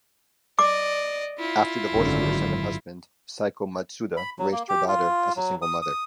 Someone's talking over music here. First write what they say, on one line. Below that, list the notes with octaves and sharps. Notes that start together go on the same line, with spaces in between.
After divorcing her second husband, Seiko Matsuda raised her daughter as a single mother.
D5 D#5 D6
E4 F4
G#1 F#2 D3
B5
F#3
A#3
G4
F4
F#3
D#6
D#6